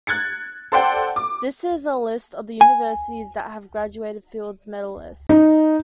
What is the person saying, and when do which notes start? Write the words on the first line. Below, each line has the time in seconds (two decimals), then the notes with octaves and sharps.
This is a list of the universities that have graduated Fields medalists.
0.07 F#6 G#6 A6 C#7
0.72 A4 C5 D5 F#5 G5
1.16 D6
2.61 G#5
5.29 D#4